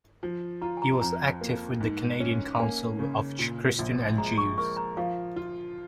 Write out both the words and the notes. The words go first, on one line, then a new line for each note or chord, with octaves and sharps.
He was active with the Canadian Council of Christians and Jews.
F3
F4 A#5
G#5
A#5
F2 A#5
A#3
G#2
C#4
A#3 G#5
C#3
A#2
A#1
G#3 A#5
C#6
A#4 C#6
A#5
F3 F5
F4